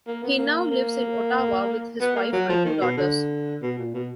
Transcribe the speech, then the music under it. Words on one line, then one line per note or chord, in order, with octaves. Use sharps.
He now lives in Ottawa with his wife and two daughters.
A#3
B3
A#3
A#3
B3
A#3
F#3
F3
D#3
B2
D3
B2
A#2
B2